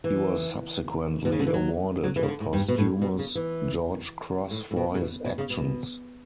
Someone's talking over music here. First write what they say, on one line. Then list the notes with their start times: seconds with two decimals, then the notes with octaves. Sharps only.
He was subsequently awarded a posthumous George Cross for his actions.
0.04 E3
1.25 B2
1.32 C#3
1.40 D3
1.47 E3
1.54 F#3
2.03 F#3
2.16 E3
2.23 C#3
2.28 D3
2.40 A2
2.53 G2
2.68 B2
2.78 A2
3.02 B2
3.19 C#3
3.35 E3
4.51 A2
4.71 A2
4.76 B2
4.95 C#3
5.01 B2
5.25 B2
5.38 C#3
5.50 B2